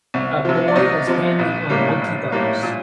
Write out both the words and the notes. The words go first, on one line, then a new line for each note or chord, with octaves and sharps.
A boy is hanging on monkey bars.
C2
C3 F3
D5
C2 D#4 D#5
C3 F3
A#1
A2 G3 A#3
A#1
A2 G3 A#3
A#2